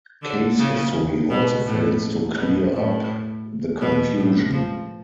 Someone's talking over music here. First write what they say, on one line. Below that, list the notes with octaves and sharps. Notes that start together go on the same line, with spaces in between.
Case history also fails to clear up the confusion.
D3
C#3
B2
A2
B2
A2
B2
A2
F3